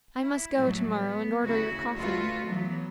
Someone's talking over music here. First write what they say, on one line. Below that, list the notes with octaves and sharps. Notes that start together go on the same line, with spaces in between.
I must go to-morrow and order your coffin.'
E4
A2 F#3 G3 A3
B3
D2 C#3 E4 F#4
D2 A3 F4 F#4 B4
E3 F#3 B3